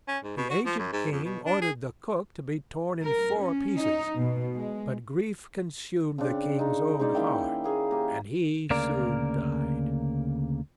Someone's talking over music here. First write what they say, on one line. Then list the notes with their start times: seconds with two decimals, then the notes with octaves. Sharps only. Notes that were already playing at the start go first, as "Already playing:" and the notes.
The aged king ordered the cook to be torn in four pieces, but grief consumed the king's own heart, and he soon died.
0.08 C#4
0.24 G#2
0.37 B2
0.50 F#4
0.65 F3
0.79 F#2
0.92 G#2
1.12 F2
1.25 B2
1.46 D4
1.61 G#4
3.03 A#4
3.40 C#4
3.78 D#4
4.17 B2
4.55 G#3
6.18 C#3 C4 D4
6.59 C#3 D#4
6.99 G#3 C#4 D#4 D5
7.15 D#3 A#3 E4 G5
7.64 A#3 G#4
7.91 A#3 G4
8.70 D2 C#3 A#3 A#4 D5